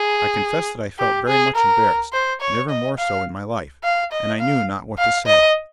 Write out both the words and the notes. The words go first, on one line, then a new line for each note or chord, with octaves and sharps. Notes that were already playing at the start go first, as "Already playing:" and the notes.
I confess that I felt very much embarrassed--never more so in my life--and I knew not what to say.
Already playing: G#4
G4
G#4
A#4
C5
C#5
D#5
F5
F5
D#5
F5
F5
D#5